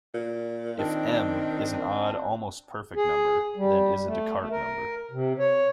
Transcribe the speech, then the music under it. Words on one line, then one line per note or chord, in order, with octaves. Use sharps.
If "m" is an odd almost perfect number then is a Descartes number.
A#2
D#3 C4 D4
G#4
G3
A3
A3
A#4
C3
C#5